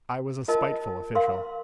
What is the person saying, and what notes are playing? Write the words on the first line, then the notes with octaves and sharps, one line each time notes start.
I was a spiteful official.
F4 A#4 D#5 A5
A#4 F5 C6